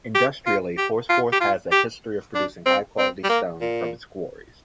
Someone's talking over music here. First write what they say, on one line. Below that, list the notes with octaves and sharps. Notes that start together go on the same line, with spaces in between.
Industrially, Horsforth has a history of producing high quality stone from its quarries.
G4
F4
G4
F4
G4
F4
G4
D4
C4
C4
G3
A#3
A#2